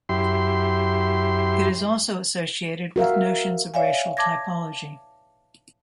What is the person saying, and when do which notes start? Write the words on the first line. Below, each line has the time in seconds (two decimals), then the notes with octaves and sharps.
It is also associated with notions of racial typology.
0.09 F#2 E4 G4 C6
2.96 F#4 A#4 E5 F5
3.74 C#5 D5 E5 F5 G#5
4.17 A5 D6 G#6 A#6